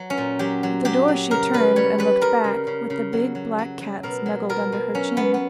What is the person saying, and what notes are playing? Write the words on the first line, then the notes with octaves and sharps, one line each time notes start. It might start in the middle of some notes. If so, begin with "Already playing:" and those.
At the door she turned and looked back, with the big black cat snuggled under her chin.
Already playing: F#3
C#4
A#2
F#3 G4
F#3
F#3 G4
F#3
C#3 A#4
G3 B4
G3 C#5
G3 B4
G3 A#4
C#3
C#3
C#3
F#3
F#3
F#3
F#3
B2 A#4
F#3
B2 A#4
B2
F#3 C#4
F#3 B3
B3